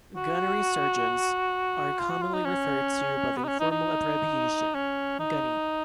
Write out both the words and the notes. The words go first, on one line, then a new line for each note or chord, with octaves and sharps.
Gunnery sergeants are commonly referred to by the informal abbreviation "gunny".
F#4
F4
F#4
F4
D#4
C#4
B3
D#4
C#4
D#4
D#4
C#4
D#4